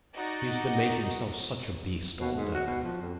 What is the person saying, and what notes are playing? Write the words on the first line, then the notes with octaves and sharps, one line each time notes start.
He has been making himself such a beast all day.
D#4 F#4 D5
B2
G#2
F#4
B2
F3
F2